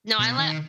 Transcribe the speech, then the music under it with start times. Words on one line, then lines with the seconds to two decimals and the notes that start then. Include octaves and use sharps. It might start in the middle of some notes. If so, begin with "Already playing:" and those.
No, I li
0.19 B2
0.38 D#3